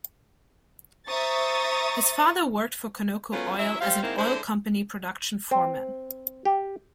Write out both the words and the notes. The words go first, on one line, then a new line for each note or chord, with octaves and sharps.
His father worked for Conoco Oil as an oil company production foreman.
C5 E5 A#5 C#6 D#6 A6
F#3 G#3 A3 B3 C#4 F4
F#3 C#4 E4 E5
G3 C4 C5 F5
G#2 D#3 A#3 C4 E4
D3 G#3 E4 C5
C4
G4